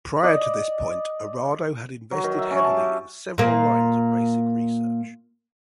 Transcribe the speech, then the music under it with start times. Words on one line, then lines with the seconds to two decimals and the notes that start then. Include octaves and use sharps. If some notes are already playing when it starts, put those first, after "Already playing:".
Prior to this point, Arado had invested heavily in several lines of basic research.
0.23 D5 D#5
2.11 F#3
2.24 D#3
2.39 E5
2.51 C#4
2.64 A5
2.77 G4
3.38 A#2 A#3